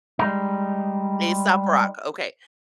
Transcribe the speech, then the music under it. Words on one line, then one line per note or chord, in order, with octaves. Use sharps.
Aesop Rock, okay.
G3 G#3 D#4